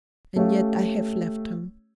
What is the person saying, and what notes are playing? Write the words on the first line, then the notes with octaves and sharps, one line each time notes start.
And yet I have left him.
A3 C#4 G4 C#5 F5